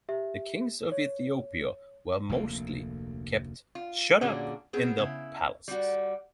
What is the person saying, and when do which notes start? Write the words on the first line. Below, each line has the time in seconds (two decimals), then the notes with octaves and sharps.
The kings of Ethiopia were mostly kept shut up in their palaces.
0.09 G4 E5
0.92 C#5
2.29 F1 D2 A#3
3.75 F4
4.21 A#2 D3 C#4 F#4 G#4
4.73 B3 C4 G#4
4.98 C#3 E4
5.68 G3 F#4